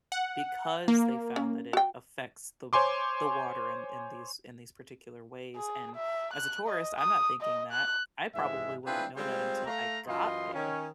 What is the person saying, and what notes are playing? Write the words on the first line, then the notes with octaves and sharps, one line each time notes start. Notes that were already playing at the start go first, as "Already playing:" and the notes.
because they found that it affects the w the water in in these in these particular ways, and as a tourist, I'm not thinking that, I probably wouldn't know that until I got there
F#5
A#3
C#4
F#4 G5
C5 C#5 G#5 C6 D6
G#4
E5
F#6
D#5
D#6
D#5
F#6
G#2 C3 E3 G#3 E5
C4 D4 E4 F4 G#4 B4
G3 G#3 C4 F4 C5
A3 F5 A#5
F#2 E3 F4 D#5 C6
D#3 C#4